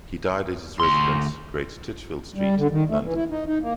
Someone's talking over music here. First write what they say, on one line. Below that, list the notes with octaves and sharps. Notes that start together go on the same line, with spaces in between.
He died at his residence, Great Titchfield Street, London.
D2 C6
G3
D3
D#3
A3
E3
E4
D#4
D#4
A#3